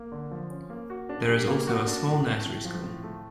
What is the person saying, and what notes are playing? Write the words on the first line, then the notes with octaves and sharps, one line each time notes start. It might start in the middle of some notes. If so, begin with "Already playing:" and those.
There is also a small nursery school.
Already playing: A#3
D3
F3
C#4
A#3
F#4
D4
G3
A#3
F#4
D4
A2
A3
A2
F3
A2
A3